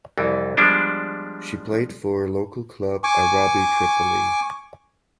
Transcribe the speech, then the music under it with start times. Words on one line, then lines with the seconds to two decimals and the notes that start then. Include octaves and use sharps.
She played for local club Arabi Tripoli.
0.18 C2 F2 E3
0.57 F3 G3 G#3 B3 D4 C5
3.04 G#5 C#6 D6